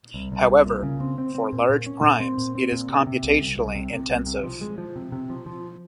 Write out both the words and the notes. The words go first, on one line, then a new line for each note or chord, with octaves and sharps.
However, for large primes it is computationally intensive.
C2
C2
C2
A#2
C#3
C4
C4
C4
A#2
A#2
C#4
A#2
C4
A#2
C4
A#2
C3
C3
C2
C2
C2
C3
C3
C2
C3
F3
G#3
F3
C3
C3
F3
F3